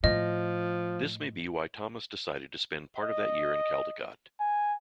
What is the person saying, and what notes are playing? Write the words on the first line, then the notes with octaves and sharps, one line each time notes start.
This may be why Thomas decided to spend part of that year in Caldicot.
A2 F3 D#5
D#5
G#5